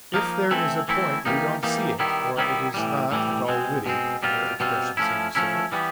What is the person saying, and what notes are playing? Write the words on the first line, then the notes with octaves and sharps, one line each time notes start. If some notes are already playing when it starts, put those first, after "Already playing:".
"If there is a point we don't see it, or it is not at all witty," their expressions seemed to say.
F3 A#3 D#4
E3 A3 C4 E4
E3 A3 C4 E4
E3 G3 A#3 D#4
E3 G3 A#3 D#4
D#3 G3 B3 E4
D#3 G3 B3 E4
A2 E3 G3
A2 E3 G3
B2 G#3 C4
B2 G#3 C4
B2 G3 C4 F4
B2 G3 C4 F4
F3 A3 C#4 E4
F3 A3 C#4 E4
E3 G3 B3